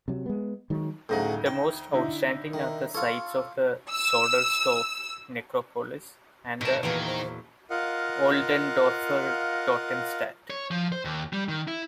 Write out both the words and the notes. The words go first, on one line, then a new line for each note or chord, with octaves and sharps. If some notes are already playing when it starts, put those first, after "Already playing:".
The most outstanding are the sites of the Soderstorf Necropolis and the Oldendorfer Totenstatt.
C3 F#3
G#3 B3
D#3 F#3 G#3
D2 A2 C#3 F#3 D#4 C5
G5
D3 D#4 E4
D#3
F4 A4 C#5
E6
G#2 B2 A#4 A5
E2 A#2 D#3 F#3 B4
C5
F4 A#4 D#5 F5 F#5
C#5
F3
C5
D#2
G3
D#3
E4